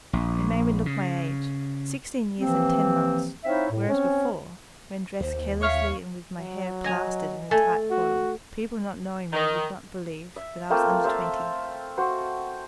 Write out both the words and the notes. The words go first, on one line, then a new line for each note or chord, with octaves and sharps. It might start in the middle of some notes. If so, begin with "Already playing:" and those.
It made me look my age--sixteen years and ten months--whereas before, when dressed carelessly and with my hair plastered in a tight coil, people not knowing me would not believe that I was under twenty.
A#1
C#3
C3 E3 F3 A#3 C4
C4 D#4 E4 C#5 E5 F5
A2
C4 C#4 C#5
D#2 C5
C#5 E5 F5 C#6
F#3
D#5 G#5 A#5
A3 G#5
F#4
D#3
E5
A3 A#3 C4 F4
C5 E5 F5 A5
F#4 C5